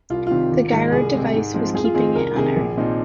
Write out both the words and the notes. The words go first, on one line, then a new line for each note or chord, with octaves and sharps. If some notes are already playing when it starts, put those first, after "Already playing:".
The Gyro device was keeping it on Earth.
C2 F4
C3 D#3 C4 F4
G#1
G#2 D#3 G#3
C2 G#4
C3 G#3
G#2
F3 G#3 C4
F2 G#4
F4
D#3 C4 D#4 G#4
C2 A#4
C3 D#3 G#4
A#1
A#2 F3 C4 D#4